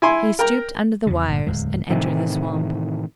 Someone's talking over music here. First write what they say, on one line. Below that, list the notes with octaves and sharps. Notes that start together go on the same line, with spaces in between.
He stooped under the wires and entered the swamp.
E4 G#5 C6
A#4 G5 A#5
E2 C#3
G1 A#2
D1 E2 G#3
A2 C3 D#3 E3